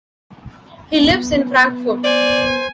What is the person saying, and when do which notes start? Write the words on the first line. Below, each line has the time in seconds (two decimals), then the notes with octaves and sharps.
He lives in Frankfurt.
0.98 B3
2.04 C5 D5 G#5